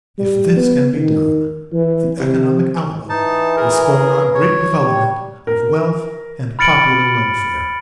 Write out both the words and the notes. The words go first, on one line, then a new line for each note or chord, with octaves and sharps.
If this can be done, the economic outlook is for a great development of wealth and popular welfare.
G3
B3
D#3
E3
C3
E3 D#4 A5
G#4 A#4
B4
C#5
G3
A#4
B5 F6 A6 C#7 D7 F#7